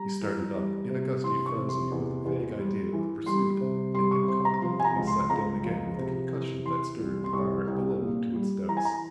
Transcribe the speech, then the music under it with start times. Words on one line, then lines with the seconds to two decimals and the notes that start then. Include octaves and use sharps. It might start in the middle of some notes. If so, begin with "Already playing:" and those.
He started up in a gusty frenzy with a vague idea of pursuit, and incontinently sat down again with a concussion that stirred the bar below to its depths.
Already playing: G3 A#5
0.21 E3
0.55 G3
0.90 C3
1.24 E3 C6
1.46 C#6
1.57 C3
1.69 C6
1.91 E2
2.25 E2
2.59 G3
2.93 E3
3.26 G3 C6
3.61 C3
3.94 G3 C6
4.11 C#6
4.28 C3 C6
4.45 A#5
4.62 F3 C6
4.80 G#5
4.84 A#5
4.96 C#2
5.07 C6
5.30 C#2 A#5
5.64 F3
5.98 C3
6.32 E3
6.66 E3 C6
6.99 C2
7.24 C6
7.33 C2 C#6
7.67 C2
8.01 A#2
8.35 G3
8.68 E3 A#5
8.77 G#5
8.85 A#5